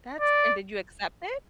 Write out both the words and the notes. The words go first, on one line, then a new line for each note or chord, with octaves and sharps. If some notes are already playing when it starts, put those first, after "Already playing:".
That's cr and did you accept it?
D5